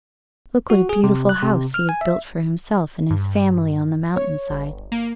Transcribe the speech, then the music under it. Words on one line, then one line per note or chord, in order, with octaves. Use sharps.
Look what a beautiful house he has built for himself and his family on the mountain-side.
F#4
G#4
C3
F#6
C3
F6
G#5
E5
G2
C#5
G1
A#3